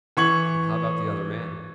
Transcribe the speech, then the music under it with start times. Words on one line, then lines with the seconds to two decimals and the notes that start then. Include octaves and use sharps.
"But how about the other man?"
0.17 E3 C#6 G#6 F#7